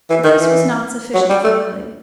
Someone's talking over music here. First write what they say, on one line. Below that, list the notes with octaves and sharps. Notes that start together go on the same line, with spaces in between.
But this was not sufficient for Lily.
E3
D#3
E3
F#3
G3
A3